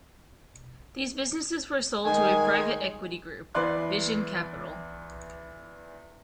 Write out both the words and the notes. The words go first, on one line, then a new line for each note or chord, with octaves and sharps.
These businesses were sold to a private equity group, Vision Capital.
D#3 G#3 G#5
E2 E3 B4 D5 C6 F#6